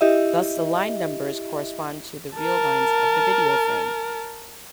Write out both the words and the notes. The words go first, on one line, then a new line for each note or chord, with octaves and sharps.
Thus the line numbers correspond to the real lines of the video frame.
E4 G4 D#5 E5
A#4 A5